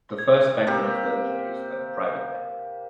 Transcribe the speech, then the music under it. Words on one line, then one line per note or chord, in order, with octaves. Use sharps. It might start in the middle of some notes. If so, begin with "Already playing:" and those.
The first banknotes were introduced by the private banks.
G#6
C3 A#3 G4